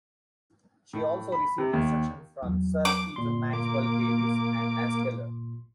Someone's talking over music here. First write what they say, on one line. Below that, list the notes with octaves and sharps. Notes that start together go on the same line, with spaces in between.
She also received instruction from Sir Peter Maxwell Davies and Hans Keller.
A2
B5
C3
D#2
E2 F#3
D6
G1 A#2 C6
A#3 D6